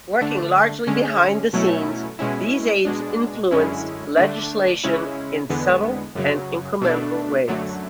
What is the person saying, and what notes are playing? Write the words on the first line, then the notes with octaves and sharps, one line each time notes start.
Working largely behind the scenes, these aides influenced legislation in subtle and incremental ways.
D3 A3 D4
D3 G#3 C#4
B2 F#3 A3 C#4 E4
B2 G#3 C#4 E4
B2 G#3 D4
F#2 D3 G#3 C#4 E4
D3 A3 D4
C#3 G#3 C#4 E4
E2 D3 G#3 B3
F#2 C#3 F#3
B2 A3 D4
F#2 D3 F#3 A3